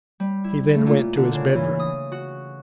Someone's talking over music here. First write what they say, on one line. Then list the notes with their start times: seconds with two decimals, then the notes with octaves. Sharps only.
He then went to his bedroom.
0.20 G3
0.44 E4
0.75 A3
0.86 A#2
1.16 D3
1.34 C#3
1.55 E3
1.79 D#6
2.12 F#4